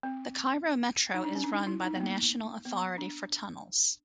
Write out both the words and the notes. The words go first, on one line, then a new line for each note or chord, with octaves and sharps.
The Cairo Metro is run by the National Authority for Tunnels.
C4
D#4
D4
C#4
D4
D#4
E4
D#4
B3
A#3
B3
D4